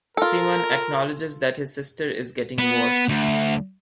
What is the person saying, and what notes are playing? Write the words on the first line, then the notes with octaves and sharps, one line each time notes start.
Simon acknowledges that his sister is getting worse.
F4 A4 A#4
B3
D2